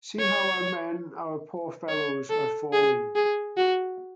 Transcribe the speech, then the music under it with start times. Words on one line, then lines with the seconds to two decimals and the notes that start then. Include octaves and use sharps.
See how our men, our poor fellows, are falling.
0.19 C#5
1.88 C#5
2.30 A4
2.73 G#4
3.16 G#4
3.57 F#4